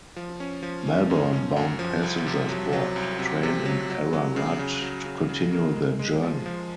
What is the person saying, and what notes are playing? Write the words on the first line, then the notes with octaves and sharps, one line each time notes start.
Melbourne bound passengers board a train in Ararat to continue their journey.
F3
C#4
F3
C#4
F#2
C#4
F#2
F3
C2
C3
F#3
F#3
C2
C3
C3
F#3
F#3
F#3
C#3
C#3
F#3
C#3
C#3
A#3
G#3
G#3
F3
F3